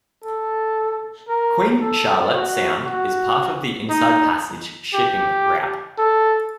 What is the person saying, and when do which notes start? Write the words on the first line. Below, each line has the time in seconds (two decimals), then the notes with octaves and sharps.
Queen Charlotte Sound is part of the Inside Passage shipping route.
0.24 A4
1.28 A#4
1.81 A4
2.33 F#4
2.85 F#4
3.90 D#4
4.94 G4
5.98 A4